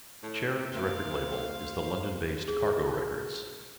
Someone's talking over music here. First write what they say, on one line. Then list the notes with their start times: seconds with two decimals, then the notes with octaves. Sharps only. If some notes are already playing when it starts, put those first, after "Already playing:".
Cherubs' record label is the London-based Cargo Records.
0.23 A2
0.75 A3 B3 E4 A#4 C5 F5
2.48 G#4